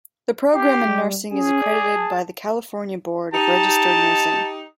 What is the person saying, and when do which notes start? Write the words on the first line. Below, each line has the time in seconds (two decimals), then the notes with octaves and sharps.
The program in nursing is accredited by the California Board of Registered Nursing.
0.54 G4 C7
0.88 G3
1.31 C#4 G#4
1.62 D5
1.95 A5
3.34 D#4 G4 A5